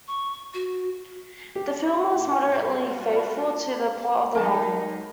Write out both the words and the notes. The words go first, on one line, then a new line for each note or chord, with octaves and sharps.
The film was moderately faithful to the plot of the novel.
C#6
F#4
G4
A#2 E5
G3 F4 F#4
D5 B5
F#3 G#3 D#4 A#4 A5